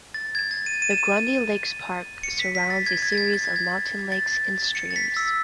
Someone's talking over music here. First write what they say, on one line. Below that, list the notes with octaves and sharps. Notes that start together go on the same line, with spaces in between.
The Grundy Lakes Park surrounds a series of mountain lakes and streams.
A6
G#6
A6
D#7
D#7
E7
D#7
C#7
B6
B6
A6
G#6
G#6
A6
G#6
G#6
A6
G#6
A6
C#7
A6
B6
E6